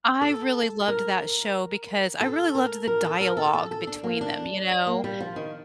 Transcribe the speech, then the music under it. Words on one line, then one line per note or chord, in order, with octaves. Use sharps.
I really loved that show because I really loved the dialogue between them, you know?
A4
A#4
A4
A#4
A#4
A4
A#4
A4
A4
A4
D4
A#3
D4
A#3
G3
F3
D#3